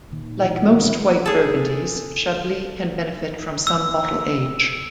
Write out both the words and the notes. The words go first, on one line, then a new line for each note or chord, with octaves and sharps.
Like most white Burgundies, Chablis can benefit from some bottle age.
A#2 D#3
B2 E3 F#3 G3 F4
D#3 G3 D4 B4
G#4 A4
E6